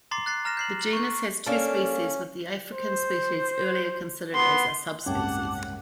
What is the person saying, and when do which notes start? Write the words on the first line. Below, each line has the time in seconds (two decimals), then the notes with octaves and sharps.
The genus has two species with the African species earlier considered as a subspecies.
0.11 A#5 C6 D6 A6 C7
0.26 F#6 A6 C7
0.45 A#5 F6 A6 A#6 E7
0.57 G6 C7 F#7
0.80 F#7
0.93 C#6 G6
1.46 A#3 C#4 D4 A4
2.72 C5
4.35 B3 C6
5.06 F#1 C2 G#2 C#4 F#5 G5 A5 D6